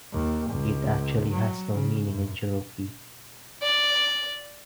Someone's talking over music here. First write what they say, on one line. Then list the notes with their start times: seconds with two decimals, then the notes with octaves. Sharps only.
It actually has no meaning in Cherokee.
0.12 D#2
0.50 C#2
1.32 F#3
1.74 C#3
2.06 F#2
3.62 D5